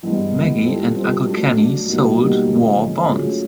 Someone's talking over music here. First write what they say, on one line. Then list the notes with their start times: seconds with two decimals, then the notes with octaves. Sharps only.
Maggie and Uncle Kenny sold war bonds.
0.03 G2 E3 G#3 B3
0.34 G2 E3 G#3 B3
0.64 G3 C4 F4 A4 C5
0.94 G3 C4 F4 A4 C5
1.26 F#3 A3 D4
1.55 F#3 A3 D4
1.87 B2 G3 A#3 D#4 F#4
2.16 B2 G3 A#3 D#4 F#4
2.47 D3 F3 G#3 C#4
2.78 D3 F3 G#3 C#4
3.08 F#3 A3 C#4 F4 G#4